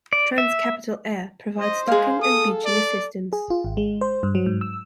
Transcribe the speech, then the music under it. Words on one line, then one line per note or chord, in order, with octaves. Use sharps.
Trans-Capital Air provides docking and beaching assistance.
D5
E5
C5 D#5
G#3 G#4 F5
A4 D#6
D5
G#4
F4
G#1
G#3
C5
G2
F#3
G#2
E6